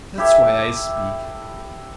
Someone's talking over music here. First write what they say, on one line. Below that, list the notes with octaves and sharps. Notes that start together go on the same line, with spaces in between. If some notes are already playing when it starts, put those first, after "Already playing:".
That's why I speak.
E4 G4 A4 E5